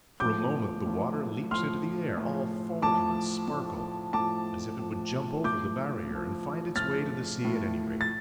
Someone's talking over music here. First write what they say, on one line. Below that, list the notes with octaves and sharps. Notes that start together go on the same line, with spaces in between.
For a moment the water leaps into the air, all foam and sparkle, as if it would jump over the barrier, and find its way to the sea at any rate.
A2 F3 D6 G6
A2 F3
A2 F3 C6 F6
A2 F3
A2 F3 A5 D6
A2 F3
A2 F3 A5 D6
A2 F3
A2 F3 D6 G6
A2 F3
A2 F3 F6 A6
A2 F3
A6